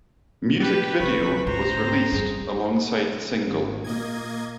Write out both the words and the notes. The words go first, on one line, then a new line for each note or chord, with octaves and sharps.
Music video was released alongside the single.
G4 B4
D2 C3 B4 B5 C#6
D2 G#2 C5 A#5
C4
G2 G#4
G#1
A#2 A#3 D#5 G#6